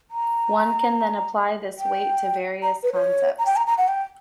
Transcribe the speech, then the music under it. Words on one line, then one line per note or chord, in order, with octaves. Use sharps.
One can then apply this weight to various concepts.
A#5
G5
A#5
B4
C#5
A#5
G5
A#5
A#5
F#5
G5